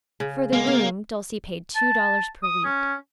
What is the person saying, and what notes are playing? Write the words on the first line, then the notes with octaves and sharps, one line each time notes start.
For the room, Dulcie paid two dollars per week.
C#3
G#3 A#3 B3 F5
F5
A5
D#6
C#4